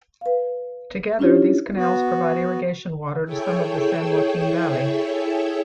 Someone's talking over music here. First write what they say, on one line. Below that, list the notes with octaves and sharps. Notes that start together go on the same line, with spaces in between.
Together, these canals provide irrigation water to some of the San Joaquin Valley.
B4 F5
C#4 D4 E4 F4 G4 C#5
B3 F#4
E4 G#4 A4 C#5 E5 G5